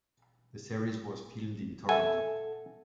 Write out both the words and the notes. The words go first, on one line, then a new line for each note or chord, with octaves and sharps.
The series was filmed in Toronto.
A4 E5 F#5 G#5